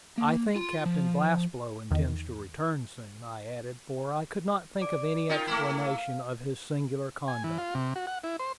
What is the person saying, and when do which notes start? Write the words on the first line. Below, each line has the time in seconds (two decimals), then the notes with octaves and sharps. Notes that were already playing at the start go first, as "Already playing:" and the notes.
"I think Captain Blastblow intends to return soon," I added, for I could not think of any explanation of his singular conduct.
0.18 A#3
0.56 F4 C6
0.86 F3
1.91 E2 D#3
4.81 D5 D6 D7
5.29 D#4 F4 A#4 G5
5.47 A3 A#3 E4
5.87 F5
7.28 G#5
7.44 E3
7.58 F4
7.75 C3
7.96 F#4
8.07 F#5
8.24 E4
8.40 C5